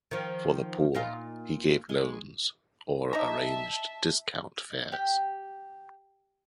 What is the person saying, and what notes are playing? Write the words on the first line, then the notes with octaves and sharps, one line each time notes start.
For the poor, he gave loans, or arranged discount fares.
D#3 F3
A#2 D#4 F4
G#3
D#4 E5 A5 A#5
G4